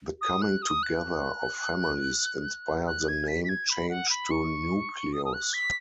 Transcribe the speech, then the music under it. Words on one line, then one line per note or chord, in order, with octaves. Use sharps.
The coming together of families inspired the name change to Newcleus.
D#6
F#6
D#6
F#6
F#6
G#6
B6
B6
G#6
B5
F#5
B5
C#6
D#6
D#6
F#6
B6